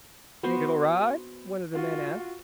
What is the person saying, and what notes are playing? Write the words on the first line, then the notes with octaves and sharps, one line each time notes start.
"Think it'll ride?" one of the men asked.
B3 F#4 C5 C6
F4 F#4